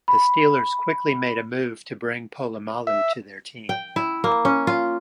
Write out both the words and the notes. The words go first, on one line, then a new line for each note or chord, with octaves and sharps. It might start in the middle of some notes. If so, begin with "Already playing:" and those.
The Steelers quickly made a move to bring Polamalu to their team.
B5
E5
G5
E4
A#3
C#4
F4